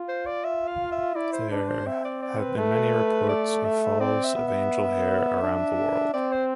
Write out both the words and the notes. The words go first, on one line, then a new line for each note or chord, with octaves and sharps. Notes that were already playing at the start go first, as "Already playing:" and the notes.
There have been many reports of falls of angel hair around the world.
Already playing: F4
C5
D5
E5
F5
E5
E4 D5
C5
D4 B4
C5
C4 E5
D5
D5
B4
A3
D5
E5
C4 D5
E5
B3
E5
D4
C4 D5
C5